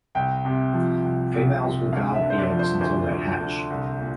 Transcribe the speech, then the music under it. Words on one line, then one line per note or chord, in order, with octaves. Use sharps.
Females will guard the eggs until they hatch.
C2 G5
C3
F3
C2
C2
C3
D2 F5
E5
D3
C5
D5
F3
C5
D2 C5
D2
D3
C2
A#2